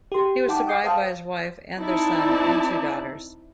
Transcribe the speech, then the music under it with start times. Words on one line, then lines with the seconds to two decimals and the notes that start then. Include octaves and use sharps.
He was survived by his wife, and their son and two daughters.
0.12 G4 C6
0.48 D#4 F#5 G5 A5 D6
0.67 F#5 D6 D#6 G6 C7
0.84 C5 F5 G5 A5 D#6
1.78 C4 D#4 E4 D5 A5